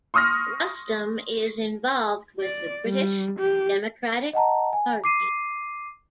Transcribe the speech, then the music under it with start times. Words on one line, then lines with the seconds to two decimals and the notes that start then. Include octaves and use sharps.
Rustem is involved with the British Democratic Party.
0.14 C6 C#6 D#6 F6 A#6
2.41 D5
2.86 G3
3.39 G4
4.33 D#5 F#5 A5 A#5
4.73 G#5
5.04 D6 C7 D#7